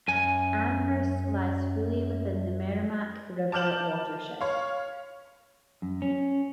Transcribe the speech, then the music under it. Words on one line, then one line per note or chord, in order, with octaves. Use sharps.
Amherst lies fully within the Merrimack River watershed.
F#2 G#5
A5 D6 F6 G6 E7 F#7
C#5 F5
F#2
C#4